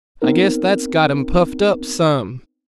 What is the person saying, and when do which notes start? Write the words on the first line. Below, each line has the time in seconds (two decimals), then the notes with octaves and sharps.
"I guess that's got him puffed up some."
0.22 B3 C4 D#4 A#4